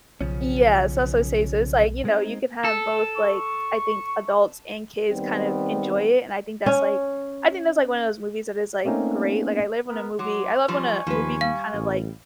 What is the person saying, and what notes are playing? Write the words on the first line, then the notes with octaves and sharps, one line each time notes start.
Yeah, so so say so it's like, you know, you can have both like, I think adults and kids kind of enjoy it, and I think that's like I think that's like one of those movies that is like great, like, I live when a movie I love when a movie can kind of like
B1 C#3 F3 C#4
G#3 C4 D#4
A4
C#6
D#3 G3 B3 C4
C#4
A3 A#3 C4 C#4 D#4
B3 A#4
F#3 C6 D6
F#2 F3 G3 G#5 C#6
D#2 F3 B4
G3 F5
A1